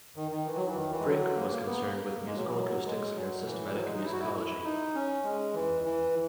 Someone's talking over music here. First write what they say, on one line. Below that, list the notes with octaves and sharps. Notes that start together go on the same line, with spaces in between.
Fricke was concerned with musical acoustics and systematic musicology.
D#3
D#3
E3
F#3
E3
D#3
E3
G#3
F#3
A#3
A#3
B3
A#3
G#3
F#3
E3
F#3
G#3
F#3
E3
F#3
G#3
D#4
E4
F#4
E4
E4
D#4
C#4
G#3
E3
E3